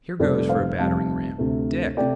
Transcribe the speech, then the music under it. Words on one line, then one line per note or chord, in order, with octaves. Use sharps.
Here goes for a battering-ram, Dick!'
F1 F2 C3 G3 C4 A4 D5
C5 F5
F1 F2 C3 G3 C4 F5 A5
D2 C3 A3
C3 A3 D5 G5